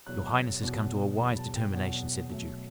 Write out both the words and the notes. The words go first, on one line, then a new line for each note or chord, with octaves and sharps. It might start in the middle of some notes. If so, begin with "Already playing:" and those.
"Your highness has come to a wise determination," said the duke.
E2 B2 F#3 F#6
E2 B2 F#3
E2 B2 F#3 B5
A5
G5
E2 B2 F#3 F#5
B2 F#3 A3